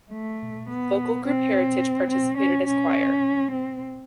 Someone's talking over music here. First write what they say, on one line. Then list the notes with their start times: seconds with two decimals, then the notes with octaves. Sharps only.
Vocal group Heritage participated as choir.
0.12 A3
0.69 B3
1.25 C4
2.10 C4
2.38 C#4
2.66 C#4
3.51 C4